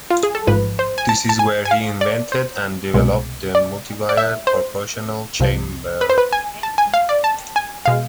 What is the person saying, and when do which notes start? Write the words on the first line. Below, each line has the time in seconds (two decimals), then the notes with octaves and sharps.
This is where he invented, and developed, the multiwire proportional chamber.
0.10 F4
0.23 G#4
0.35 A4
0.47 A1 G#2 F3 B4
0.79 C5
0.98 G#5
1.09 A5
1.29 A5
1.39 G#5
1.65 G#5
1.71 F5
2.01 D5
2.32 C5
2.94 C2 B2 G#3
3.55 D5
4.09 D5
4.17 E5
4.47 C5
5.39 C2 C3 F3
6.01 B4
6.10 C5
6.18 B4
6.33 G#5
6.63 A5
6.78 G#5
6.94 F5
7.09 D5
7.24 A5
7.56 G#5
7.86 B2 G#3 F5